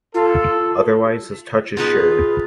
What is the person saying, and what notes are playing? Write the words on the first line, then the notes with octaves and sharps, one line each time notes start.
Otherwise his touch is sure.
F4 A4
B2 D#4 F4 G#4 B4